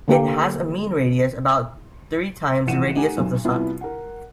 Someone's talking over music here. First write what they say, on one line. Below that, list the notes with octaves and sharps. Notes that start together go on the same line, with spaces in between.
It has a mean radius about three times the radius of the Sun.
D3 A#3 G4
A1 F3 F#5 C#7 D#7 E7
A3 D#4 G4 F#5 G#5
B1 F#2
C2 C3 B3 E4 F4
A#4 F#5